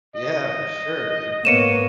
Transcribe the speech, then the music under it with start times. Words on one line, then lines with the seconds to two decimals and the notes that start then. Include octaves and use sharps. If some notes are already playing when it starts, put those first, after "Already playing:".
Yeah, for sure, dude.
0.15 D#5
1.45 G#2 A#3 B3 C#5 C#7 D#7 E7